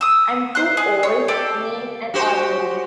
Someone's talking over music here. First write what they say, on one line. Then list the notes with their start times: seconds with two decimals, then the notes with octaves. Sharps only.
I'm too old, mean and ornery.
0.01 D#6 E6
0.55 C5 C6 F#6
0.77 G#4
1.03 C#5
1.28 G4 A4 D5
2.14 F#4 G4 C5